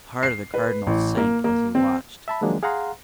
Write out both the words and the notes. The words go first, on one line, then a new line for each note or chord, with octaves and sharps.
The heart of the Cardinal sank as he watched.
C7
B4
A1
A#3
A#3
C4
E5 A5 B5
D#3 F3 F#3 G#3 A#3 D4
G#4 F5 F#5 A#5 C6